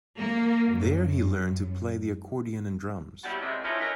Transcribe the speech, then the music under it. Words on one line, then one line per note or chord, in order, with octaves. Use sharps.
There he learned to play the accordion and drums.
A#3
F#2
B2 G3 C4 C#4 E4 F#4
C3 G#3 A3
D#3 F3 C#4 D#4 E4
F#3 C#4 E4 A#4 B4 D#5